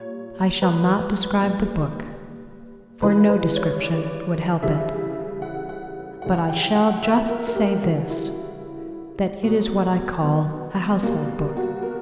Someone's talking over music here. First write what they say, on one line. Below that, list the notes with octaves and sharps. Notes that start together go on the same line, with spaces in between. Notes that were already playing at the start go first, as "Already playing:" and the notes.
I shall not describe the book, for no description would help it. But I shall just say this; that it is what I call a Household Book.
Already playing: A#2 G3 C#5
B4
A#2 G3
C#3 E3 G3 B4
B4
C#5
D5
C#3 E3 G3 E5
F#5
F#5
C#3 E3 G3 F#5
G5
F#5
E5
A#4
A#4
G4
C#3 G3 F#4
E4
B2 F#3
B3
B2 G3 A#3
F#4
A#4